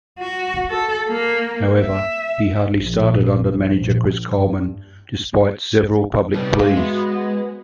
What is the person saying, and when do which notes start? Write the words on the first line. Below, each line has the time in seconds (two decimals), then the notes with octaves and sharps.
However, he hardly started under manager Chris Coleman, despite several public pleas.
0.19 F#4
0.70 A4
1.09 A#3
1.81 E5
2.72 A#1
3.79 A#1
4.28 G2
6.34 C3 G3 B3 D#4 B4 C#5
6.60 G#2 G#3 F5 C#6
6.77 B3 F#4 E5 C6